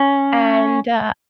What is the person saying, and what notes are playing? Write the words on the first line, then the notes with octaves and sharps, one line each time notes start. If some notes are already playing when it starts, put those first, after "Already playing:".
and, uh
Already playing: C#4